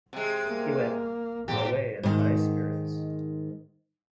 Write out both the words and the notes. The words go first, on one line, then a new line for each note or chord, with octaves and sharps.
He went away in high spirits.
C3 G#3
A#3
E2 A2 G4
G#2 D#3